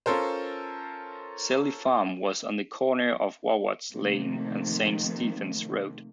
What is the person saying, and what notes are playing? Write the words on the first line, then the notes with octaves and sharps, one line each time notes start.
Selly Farm was on the corner of Warwards Lane and Saint Stephen's Road.
C#4 F4 A4 A#4 C5
C3 D#3 F3 A3 A#3 C4